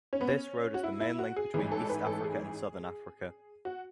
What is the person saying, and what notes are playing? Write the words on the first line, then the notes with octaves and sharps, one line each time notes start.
This road is the main link between East Africa and Southern Africa.
C#4
B3
C#4
F#4
E4
E4
F#4
G#4
A1 G#2 E3 G#4
A4
B4
A4
G#4
F#4